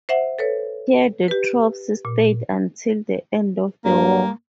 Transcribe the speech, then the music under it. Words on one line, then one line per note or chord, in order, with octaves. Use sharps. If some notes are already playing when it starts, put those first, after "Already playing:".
Here the troops stayed until the end of the war.
C5 E5 F#5
A4 B4 C#5
G4 B4
A#2
G2 A#3